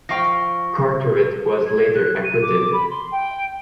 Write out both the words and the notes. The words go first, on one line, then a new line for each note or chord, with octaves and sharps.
Carteret was later acquitted.
F3 F5 G5 C#6 A#6
G#6
F#6
D#7
D6
B5
C6
G5